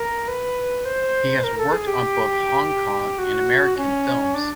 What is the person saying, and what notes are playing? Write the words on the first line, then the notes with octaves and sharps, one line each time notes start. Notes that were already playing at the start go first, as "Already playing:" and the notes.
He has worked on both Hong Kong and American films.
Already playing: A#4
B4
C5
A#4
A4
G#4
G4
F#4
C#4
D4